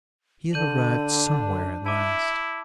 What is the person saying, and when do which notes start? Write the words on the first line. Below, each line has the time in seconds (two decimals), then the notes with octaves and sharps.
He had arrived somewhere at last.
0.53 D3 D4 G6 D#7 F#7
1.86 E4 E5 A5 D6